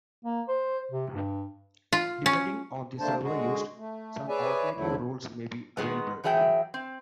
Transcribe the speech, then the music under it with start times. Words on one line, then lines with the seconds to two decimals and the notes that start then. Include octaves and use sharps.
Depending on the server used, some alternative rules may be available.
0.25 A#3
0.48 C5
0.92 C3
1.14 G2
1.93 F4
2.26 C#4
3.00 D3 A3 A#3 D4 C5 A5
3.23 D3 G#3 F#4 G#4
3.77 A3
4.28 G#4 B4 C#5 D5 E5 G#5
4.75 E2 G#2 D3 F#3 A3 E4
5.77 D#3 G#3 B3
6.24 E3 F#3 G#4 E5 G5
6.74 C4